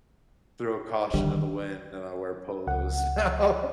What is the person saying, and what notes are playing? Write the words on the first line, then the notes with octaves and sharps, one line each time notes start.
throw caution to the wind and I wear polos now.
D3 D#3 G3
C#2 F#5